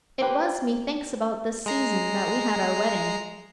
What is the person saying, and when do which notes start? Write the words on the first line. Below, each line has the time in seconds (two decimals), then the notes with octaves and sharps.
It was, methinks about this season that we had our wedding.'
0.21 A#3 G4 B4 C5
1.66 G#3 A#5 C7